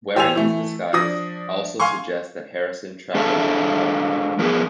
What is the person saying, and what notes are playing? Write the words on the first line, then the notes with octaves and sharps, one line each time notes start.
"Wearing his disguise" also suggests that Harrison traveled incognito.
E3 G4 C5 G#5 E6 F7
E3 A3
F3 D4 D#6 A#6
F5 G#5 C6 C#6
G#3 D4 A4 E5 F5
F3 A#3 B3 G#4